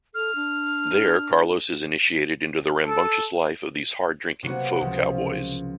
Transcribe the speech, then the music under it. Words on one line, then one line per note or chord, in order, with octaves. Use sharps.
There Carlos is initiated into the rambunctious life of these hard-drinking faux cowboys.
A4 F6
D4
A4
C3 F#3 A#3 B3 F#4
C#2 F3